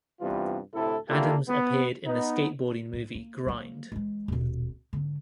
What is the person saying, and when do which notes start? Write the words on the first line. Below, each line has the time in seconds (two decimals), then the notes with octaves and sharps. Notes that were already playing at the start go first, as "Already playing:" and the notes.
Adams appeared in the skateboarding movie "Grind".
0.21 G2 C3 E3 G3 B3 F4
0.74 D2 A2 C3 E4 A4
1.08 A#3 D4 E4 F4 G4 A4
1.48 B3
2.06 B3 D#4
2.93 A2
3.15 A#3
3.45 F#3 A#3
3.92 E3 G#3
4.28 D#1 B2
4.93 G#2 D3